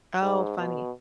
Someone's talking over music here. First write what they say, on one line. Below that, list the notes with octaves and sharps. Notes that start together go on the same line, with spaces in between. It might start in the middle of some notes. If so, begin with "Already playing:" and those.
Oh, funny.
G#2
B2